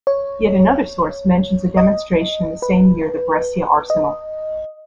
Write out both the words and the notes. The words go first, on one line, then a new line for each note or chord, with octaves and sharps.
Yet another source mentions a demonstration in the same year the Brescia Arsenal.
C#5
D#5
B4
D#5